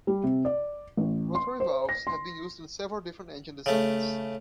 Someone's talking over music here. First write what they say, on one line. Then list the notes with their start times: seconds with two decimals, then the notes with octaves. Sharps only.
Rotary valves have been used in several different engine designs.
0.07 G3
0.24 C3
0.45 D5
0.97 A1
1.35 C6
1.60 C5
1.89 A#6
2.07 C6
3.66 C#3 A3